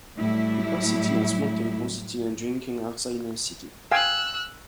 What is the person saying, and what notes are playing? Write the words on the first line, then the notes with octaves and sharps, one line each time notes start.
People sitting at small tables eating and drinking outside in a city.
A2 F#3 G3 A3 E4
F5 G5 G#5 E6 F#6